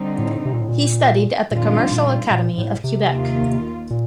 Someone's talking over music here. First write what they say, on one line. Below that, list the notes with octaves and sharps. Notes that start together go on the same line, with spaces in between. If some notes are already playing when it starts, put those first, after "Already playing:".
He studied at the Commercial Academy of Quebec.
Already playing: D3 G3 C4 D#4
A2
C3
A#2
A2
A#2
F2 A#2 D#3 G3 D4 F4
A#2
A#2
A2
C3
D#2 D#3 A#3 F4
A#2